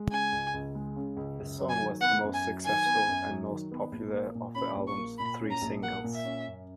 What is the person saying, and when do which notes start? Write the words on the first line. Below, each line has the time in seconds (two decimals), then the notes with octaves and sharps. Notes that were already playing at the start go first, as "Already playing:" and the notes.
This song was the most successful and most popular of the album's three singles.
Already playing: G#3
0.11 C#3 G#5
0.32 C#2
0.54 C#2
0.75 G#3
0.96 C#3
1.17 C#2
1.38 F#2
1.59 F#3
1.69 G#5
1.80 D#3
2.01 B3 F#5
2.23 F#2
2.34 G#5
2.44 F#3
2.65 D#3 G#5
2.86 B3
3.08 F#2
3.29 F#3
3.49 D#3
3.71 B3
3.92 A#1
4.13 A#3
4.35 A#2
4.55 C#4 B5
4.76 A#1
4.87 C#6
4.98 A#3
5.18 A#2 B5
5.40 C#4
5.51 A#5
5.62 A#1
5.82 A#3 F#5
6.04 A#2
6.14 E5
6.25 C#4
6.46 F#2